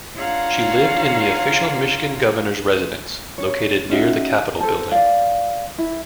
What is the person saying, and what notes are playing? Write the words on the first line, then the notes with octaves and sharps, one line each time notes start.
She lived in the official Michigan Governor's Residence, located near the Capitol Building.
D4 F4 C#5 F5 F#5 A#5
C#5
C#4 D#4 F#4 E5
A4 C5 A5
D5 F5
E4